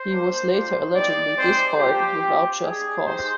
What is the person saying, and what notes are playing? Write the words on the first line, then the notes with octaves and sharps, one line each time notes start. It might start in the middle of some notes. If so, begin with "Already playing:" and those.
He was later allegedly disbarred without just cause.
Already playing: C5
G3 A#3 D4
G3 D4 F4
G3 A#3 D#4 G4 D5
G#3 C4 D#4 G4 C5
A#3 D4 F4 G4
C4 F4
G#3 D4 G4 G#4
G#3 D#4 G4 C5